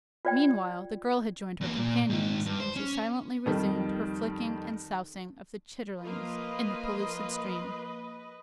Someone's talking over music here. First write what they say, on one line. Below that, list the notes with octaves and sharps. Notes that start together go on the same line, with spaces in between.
Meanwhile the girl had joined her companions, and she silently resumed her flicking and sousing of the chitterlings in the pellucid stream.
F4 D5 G5
E2 A#3
A#2
G#2 D#3
G2
C5
C#4
F2 D#3 G3
F3 A#3 F4 B4 D#5